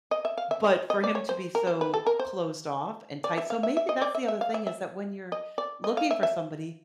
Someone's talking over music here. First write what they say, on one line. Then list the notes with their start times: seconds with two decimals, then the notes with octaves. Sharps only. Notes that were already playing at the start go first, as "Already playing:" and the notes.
but for him to be so closed off and tight so maybe that's the other thing is that when you're looking for somebody,
0.11 D#5
0.25 E5
0.38 F5
0.51 E5
0.64 D#5
0.90 D#5
1.04 D5
1.15 C#5
1.29 C5
1.55 A#4
1.67 C5
1.81 B4
1.94 A4
2.07 A#4
2.20 C5
3.24 D5
3.38 E5
3.50 F5
3.63 E5
3.77 E5
3.89 D#5
4.02 D5
4.15 E5
4.28 E5
4.41 F5
4.54 E5
4.67 E5
5.32 D#5
5.58 D5
5.84 D#5
5.97 F5
6.11 E5
6.23 E5